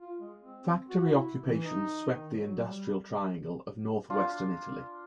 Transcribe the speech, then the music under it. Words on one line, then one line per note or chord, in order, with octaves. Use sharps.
Factory occupations swept the "industrial triangle" of north-western Italy.
F4
G#3
C4
F#4
E4
E3
D#4
D#3
F#3
G3
D4 F4